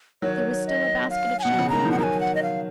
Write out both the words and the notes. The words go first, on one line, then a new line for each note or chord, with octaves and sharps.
There was still a basket of champagne left.
D#3 F#3 C#5
D#5
F5
G#5
B2 F#5
C#3
D#3 A#5
F3
F#5
D#3 F#3 G#5 A#5
F#5
D#5
F5